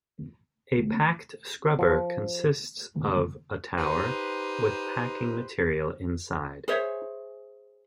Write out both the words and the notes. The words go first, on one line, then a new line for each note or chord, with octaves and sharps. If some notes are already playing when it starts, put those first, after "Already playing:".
A packed scrubber consists of a tower with packing material inside.
F3
D#4 G4 B4 C5
G#4 C5 C#5 E5